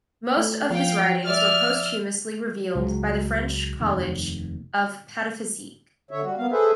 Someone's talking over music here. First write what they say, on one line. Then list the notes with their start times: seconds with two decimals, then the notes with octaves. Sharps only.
Most of his writings were posthumously revealed by the French College of 'Pataphysique.
0.37 A3
0.70 F3 F5 G5
1.25 D5 E5 F6
2.75 C#2 F#3 G#3
3.80 F1 D#2
6.11 D3 C#5 E5
6.23 G3 F#4
6.38 A#3 B3 F5
6.52 G#4 A4 B4 C5 E5